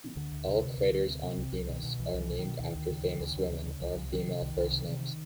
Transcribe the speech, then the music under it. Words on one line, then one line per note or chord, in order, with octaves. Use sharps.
All craters on Venus are named after famous women or female first names.
D2 D3
D2
C3
C3
D2
D2
C3
C3
C2
C2
B2 D#3
B2
C2 E3
C2
E3
B2
D#3
B2
D2 D#3
D2
C#3
C#3
D2
D2
C#3
C#3
C2 F3
C2
C3 D#3
C3
C2 D#3
C2
C3
C3